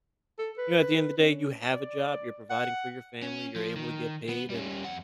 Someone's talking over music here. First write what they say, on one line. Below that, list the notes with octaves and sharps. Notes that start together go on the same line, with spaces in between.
you know, at the end of the day, you have a job, you're providing for your family, you're able to get paid and
A4
B4
C#4
D5
F#5
C#4
F3
D#3
B3
G3 C#4
F2 F#5